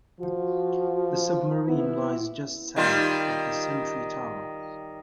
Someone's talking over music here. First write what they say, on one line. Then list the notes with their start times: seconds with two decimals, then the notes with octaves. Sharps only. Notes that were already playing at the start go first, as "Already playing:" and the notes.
The submarine lies just south of the sentry tower.
0.20 F3 F#4
1.69 B3 E4
2.76 D#3 G3 F4